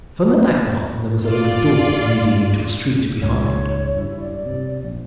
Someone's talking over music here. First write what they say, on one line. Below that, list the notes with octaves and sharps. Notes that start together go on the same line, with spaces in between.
From the back garden there was a little door leading into a street behind.
F4 D5
C#2 G#2 C#5
G2 E4
D5
C3
A#1